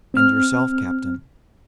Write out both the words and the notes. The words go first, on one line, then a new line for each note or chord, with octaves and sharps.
"And yourself, captain?"
C4 F6